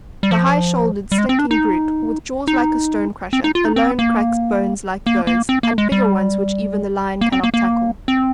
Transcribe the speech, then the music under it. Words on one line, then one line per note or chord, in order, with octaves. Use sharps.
The high-shouldered slinking brute, with jaws like a stone-crusher, alone cracks bones like those and bigger ones which even the lion cannot tackle.
G3
F3
G3
G#3
C4
D4
D#4
D#4
C4
D#4
F4
D#4
C4
A#3
A#3
A#3
C4
A#3
G#3
G3
A#3
C4
A#3
A#3
C4